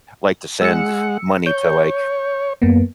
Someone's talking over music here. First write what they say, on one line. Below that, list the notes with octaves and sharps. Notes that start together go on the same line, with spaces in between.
liked to send money to, like,
G#3 F#5 E6 C#7
C#5 G6
F#2 A#3 B3